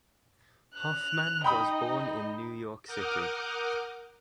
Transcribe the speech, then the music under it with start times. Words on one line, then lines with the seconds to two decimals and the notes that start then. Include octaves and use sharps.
Hoffman was born in New York City.
0.75 F#6 F7
1.44 D#4 D#5 G5 B5 D#6
2.87 A#4 F#5 D6 D#6 F6 G6